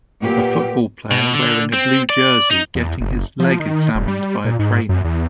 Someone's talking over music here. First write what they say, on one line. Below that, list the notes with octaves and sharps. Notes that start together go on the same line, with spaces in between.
A football player wearing a blue jersey getting his leg examined by a trainer.
A#2 B3 G4
B2
D3
C4
D5
D#4
E2
F#1
F3
D#3
E1
G3
A#2
G#2
F#2
E2